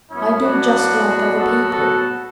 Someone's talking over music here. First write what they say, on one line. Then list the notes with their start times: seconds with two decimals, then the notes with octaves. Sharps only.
I do just like other people.
0.11 A2 F#3 B3 C#4 E4
0.43 D4 F#4
1.38 F#4 A4
1.69 F#4 A4